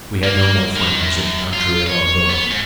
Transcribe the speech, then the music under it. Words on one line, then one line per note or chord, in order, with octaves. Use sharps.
We had no more friends in the country of our birth.
A#3
D#3
F#2
F4
C#5
B3
G#2